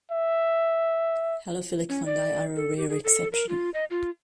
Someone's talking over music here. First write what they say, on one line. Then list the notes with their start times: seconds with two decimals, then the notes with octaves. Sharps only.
Halophilic fungi are a rare exception.
0.12 E5
1.89 C#4
2.06 D5
2.56 A4
2.77 G4
2.89 G#4
3.04 A4
3.32 A#4
3.49 F4
3.74 D#5
3.91 F4